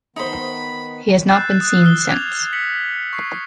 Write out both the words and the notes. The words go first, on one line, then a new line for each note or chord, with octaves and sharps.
He has not been seen since.
D#3 B3 D#4 C5 B5
E6 F#6 G6 A6 C7 E7
D#6 F#6
D#6 F6 C7 G7
D6 F6 G#6 F7
B6 C#7 F#7
C#6 C7